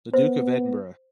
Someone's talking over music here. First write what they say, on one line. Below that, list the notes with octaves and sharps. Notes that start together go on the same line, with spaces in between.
The Duke of Edinburgh.
B3 C5